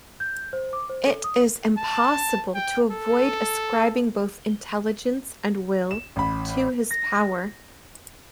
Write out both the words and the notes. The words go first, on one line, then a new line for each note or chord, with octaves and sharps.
It is impossible to avoid ascribing both intelligence and will to this power.
G6
C5
D6
C5
A4
D#6
A5
G5
A4
E7
A1 B5
A#6